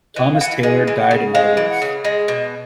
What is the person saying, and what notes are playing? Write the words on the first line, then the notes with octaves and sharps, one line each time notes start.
Thomas Taylor died in Walworth.
E3 D#5
F5
E3 F#5
G#3 G#5
E3
F#5
C#3
G#3 F5
E3
F#5
C#3
G#3
B2